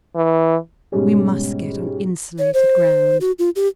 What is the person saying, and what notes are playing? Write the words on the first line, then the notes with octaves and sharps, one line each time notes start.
We must get on insulated ground.
E3
G#2 B2 G3 C#4 G4
C#5
C5
F#4
F4
G4